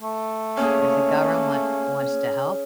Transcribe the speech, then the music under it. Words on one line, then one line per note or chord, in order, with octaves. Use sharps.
If the govern want wants to help,
A3
A#3 C#4 G#4